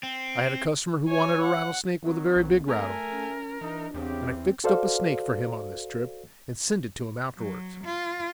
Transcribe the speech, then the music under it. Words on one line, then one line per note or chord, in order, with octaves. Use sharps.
I had a customer who wanted a rattlesnake with a very big rattle, and I fixed up a snake for him on this trip and sent it to him afterwards.
C4
C#5 G#5
F#5
D#3 F#3 C4
A#1
A3 A4 A#4 E5 G#5
C#4
E3 D4 D#4
E2 C#3 C4 G4
F#4 A4 C5 D5 F5
F#3
F4